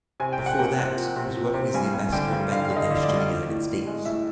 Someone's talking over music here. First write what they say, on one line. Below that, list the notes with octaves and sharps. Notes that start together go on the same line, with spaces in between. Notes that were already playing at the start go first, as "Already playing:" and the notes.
Before that he was working as the Ambassador of Bangladesh to the United States.
C3 G#5
G5
C3
F#5
A#3 G5
C3
F3
C3
F3
C3
G2 G#5
G2
D3 G5
G2
D3 F5
D3
D#5
D3
D5
G2
F3
A2
A2
G#3
A2 E5